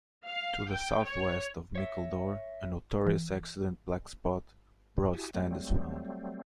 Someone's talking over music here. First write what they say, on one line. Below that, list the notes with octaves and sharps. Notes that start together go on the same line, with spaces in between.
To the south-west of Mickledore, a notorious accident blackspot, Broad Stand is found.
F5
G5
C#5
C#5 E5
E3
E4 F#4 G4 G#5 A5 D#6
F#3 G3 A3 C4